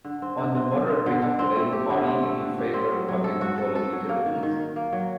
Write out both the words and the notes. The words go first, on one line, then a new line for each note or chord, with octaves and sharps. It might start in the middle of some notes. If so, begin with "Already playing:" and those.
On the moderate wing of the Labour Party, he favoured public control of utilities.
D3
C4
D3
C4
F#3
C4
D3
D3
C4
A3
G4
D3
C4
A3
D3
G4
C4
F#3
F#3
A4
F#4
A4
A4
F#3
A#3
D#3
D#3
D#3
A#3
F#3